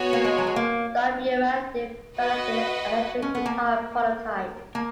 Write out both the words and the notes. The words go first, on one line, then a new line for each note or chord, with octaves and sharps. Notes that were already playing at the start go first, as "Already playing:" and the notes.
Dopyera developed an electric guitar prototype.
Already playing: B3 F#4 C#5 G#5
A#3
G#3
F#3
G#3
A#3
F#4 B4 D#5 F#5
C#4
B3
A#3
A#3